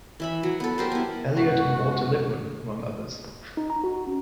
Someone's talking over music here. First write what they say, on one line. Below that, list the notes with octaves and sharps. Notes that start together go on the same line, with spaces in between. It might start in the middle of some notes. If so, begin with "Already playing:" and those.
Eliot and Walter Lippmann, among others.
E3 E5 B5
F#3
B3 A4
G4 A#4 C5
B3 E4
C#2 F#2 B2 F#4
D#4
A#5
F#4
C#4